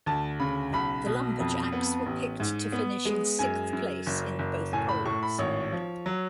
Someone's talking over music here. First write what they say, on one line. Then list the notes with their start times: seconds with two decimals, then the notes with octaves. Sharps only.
The Lumberjacks were picked to finish in sixth place in both polls.
0.06 D2 A5
0.39 C#3 B5
0.73 B1 B5
1.06 B2
1.40 F2
1.73 B3
2.06 A1
2.40 G#2
2.72 B3
3.05 G#3
3.39 F#2 G#5
3.73 F#2
4.06 F#1
4.39 F#1
4.73 A2 G#5
4.89 B5
5.05 A2 C#6
5.23 B5
5.38 G#1 C#5
5.72 F3
6.06 F#3